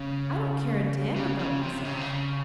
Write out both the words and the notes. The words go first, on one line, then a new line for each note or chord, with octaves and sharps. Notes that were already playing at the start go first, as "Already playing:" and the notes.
I don't care a damn about myself.
Already playing: C#3
C#3
C#3
C3
C#3
C3
C#3